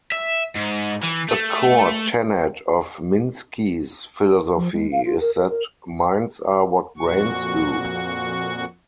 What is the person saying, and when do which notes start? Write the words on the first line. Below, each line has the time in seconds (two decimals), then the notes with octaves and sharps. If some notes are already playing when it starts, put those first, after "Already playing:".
A core tenet of Minsky's philosophy is that "minds are what brains do".
0.12 E5
0.56 G#2
1.03 E3
1.28 A3
4.56 F3
4.73 G#3
4.92 F5
5.05 F4
5.21 A#4
5.35 A#4
5.50 A#4
6.97 F2 A#2 F#4 C#6